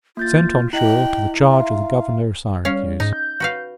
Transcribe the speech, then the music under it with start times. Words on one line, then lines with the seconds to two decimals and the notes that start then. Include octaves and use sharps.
Sent on shore, to the charge of the Governor of Syracuse.
0.17 A#3 F4 G6 A6
0.73 E4 D#5 G5 F#7
1.51 E5 F5 A#5 C6
2.65 G3 C#4 F5
3.00 G#2 D#4
3.13 G6
3.40 F#4 B4 F5